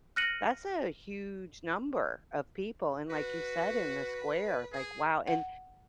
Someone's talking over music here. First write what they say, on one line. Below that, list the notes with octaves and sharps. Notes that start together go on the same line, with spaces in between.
that's a huge number of people. And like you said in the square, like wow, and
F6 F#6 A#6 C#7 D#7 F#7
F#4 B4
G#4
F#5